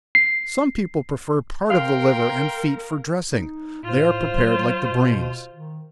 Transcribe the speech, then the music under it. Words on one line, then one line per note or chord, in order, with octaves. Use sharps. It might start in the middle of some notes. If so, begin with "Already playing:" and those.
Some people prefer part of the liver and feet for dressing--they are prepared like the brains.
C7
A#4 F5 G5 C6
D#4
A2 F4 C5
F#3
B2
D#3